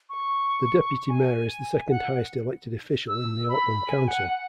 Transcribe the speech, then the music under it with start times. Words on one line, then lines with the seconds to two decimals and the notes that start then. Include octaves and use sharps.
The deputy mayor is the second highest elected official in the Auckland Council.
0.09 C#6
1.09 G#5
1.90 F#5
3.08 E6
3.49 B5
3.88 G#5
4.08 F#5
4.28 F#5